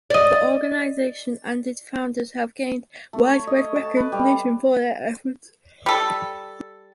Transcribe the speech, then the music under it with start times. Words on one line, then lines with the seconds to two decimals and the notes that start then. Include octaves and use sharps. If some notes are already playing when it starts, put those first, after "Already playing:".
The organization and its founders have gained widespread recognition for their efforts.
0.10 D5 D#5
3.13 A3
3.27 C#5
3.47 D#5
3.76 A5
3.96 B4
4.12 G3
5.86 G3 A4